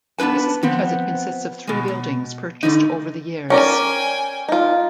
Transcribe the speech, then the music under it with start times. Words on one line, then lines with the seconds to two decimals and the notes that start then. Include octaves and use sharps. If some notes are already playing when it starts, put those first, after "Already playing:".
This is because it consists of three buildings, purchased over the years.
0.18 B3 D4 E4 B4 A5
0.63 F3 B3 C4
1.67 B2 G#3
1.88 B2
2.63 A2 D3 E3 D#4
3.50 C#4 A#4 D5 G5 G#5
4.49 D#4 F4